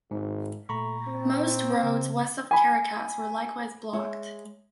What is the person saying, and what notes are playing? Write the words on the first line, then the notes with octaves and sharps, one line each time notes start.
Most roads west of Caracas were likewise blocked.
G#1 G#2
A#2 A3 A#5 B5 C#6
C4
C#3
G#5 B5
G#3 C#5 E5